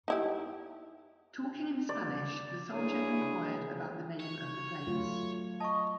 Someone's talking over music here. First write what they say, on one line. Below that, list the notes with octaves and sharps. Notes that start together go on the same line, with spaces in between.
Talking in Spanish, the soldier inquired about the name of the place.
D#4 E4 G4
D5
B3 D4 E4 G#4 C#5
D2 G#4
C#5
F#3 A3 F4
D#5 A5 C#6